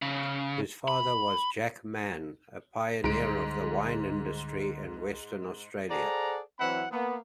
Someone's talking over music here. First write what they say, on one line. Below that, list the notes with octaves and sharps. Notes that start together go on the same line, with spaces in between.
His father was Jack Mann, a pioneer of the wine industry in Western Australia.
C#3
B5
C#2 G#2 D3 G3 D7
G#4 A4 C5 D5 F#5 A#5
E3 F#3 C4 E4 F#5 B5
A#3 B3